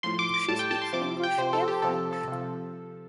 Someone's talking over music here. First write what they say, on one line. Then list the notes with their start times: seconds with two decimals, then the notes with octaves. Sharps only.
She speaks English and French.
0.03 A2 F3 C6
0.19 D6
0.34 D6
0.48 A2 G3 A5
0.59 G5
0.71 A5
0.82 C6
0.93 C3 F3 D6
1.23 G5
1.38 C3 F3 C5
1.53 A4
1.68 G4
1.82 C3 F3 A4
2.13 A4
2.28 C3 F3